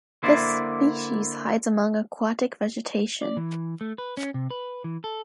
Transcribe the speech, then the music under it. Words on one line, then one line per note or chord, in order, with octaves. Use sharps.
This species hides among aquatic vegetation.
D3 A#3 E4 C5 D5
D5
E3
A3
B4
C#4
C3
B4
E3
A4